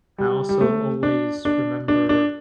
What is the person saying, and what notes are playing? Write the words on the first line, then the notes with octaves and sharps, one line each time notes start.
I also always remember,
G3
G3
A3
D4
D4
D4
D4